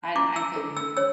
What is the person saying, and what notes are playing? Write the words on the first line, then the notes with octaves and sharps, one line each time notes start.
I I couldn't.
E4 D6
E6
A4
E6
C#5 E6